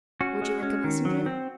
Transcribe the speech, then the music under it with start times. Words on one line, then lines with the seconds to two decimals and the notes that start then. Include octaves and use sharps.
'Would you like a messenger?
0.21 C#4 F#4
0.42 G#3
0.63 C#4
0.84 D#3
1.05 F#3
1.26 C4